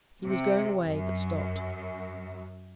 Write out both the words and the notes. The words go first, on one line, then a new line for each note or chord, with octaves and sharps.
He was going away, but stopped.
C3
F#2